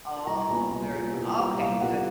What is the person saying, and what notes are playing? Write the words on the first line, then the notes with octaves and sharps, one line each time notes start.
Oh, very w okay, good.
A5
C2 A#5
A#2 G3 B3 G#5
C2
A#2 G3 B3
C2
A#2 G3 B3
C2 F5
A#2 G3 B3 F#5